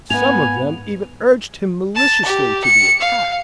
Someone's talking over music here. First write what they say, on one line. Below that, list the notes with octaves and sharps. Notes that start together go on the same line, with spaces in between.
Some of them even urged him maliciously to the attack.
G#2 A#3 B3 G#5 F7
A5
G4
C#7
F5